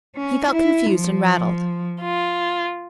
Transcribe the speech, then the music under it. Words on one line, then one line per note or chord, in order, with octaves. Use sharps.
He felt confused and rattled.
C#4
E4
F3
F4